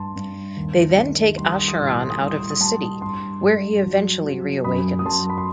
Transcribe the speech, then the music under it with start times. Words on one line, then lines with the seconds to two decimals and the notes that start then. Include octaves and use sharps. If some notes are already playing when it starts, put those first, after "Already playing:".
They then take Acheron out of the city, where he eventually reawakens.
Already playing: G2 A5 C6
0.16 G2
0.57 D#2
0.98 D#3
1.38 G3 C6
1.48 D#6
1.59 C6
1.68 D#6
1.79 A2 C6
1.89 D#6
2.00 C6
2.10 D#6
2.20 G3 C6
2.30 D#6
2.40 C6
2.50 D#6
2.60 G3 A5 C6
3.01 G2 A5 C6
3.42 G2
3.83 F#3
4.24 F#3
4.64 F#2 B5 D#6
4.99 D#6
5.05 F#2 A5 C6
5.30 B5
5.38 C6